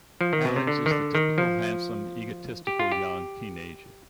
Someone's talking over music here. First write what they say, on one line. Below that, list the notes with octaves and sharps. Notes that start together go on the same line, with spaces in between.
Alex is the typical handsome egotistical young teenager.
F3
D#3
B2
C3
D3
D#3
D3
D#3
F3
G4
F4
G4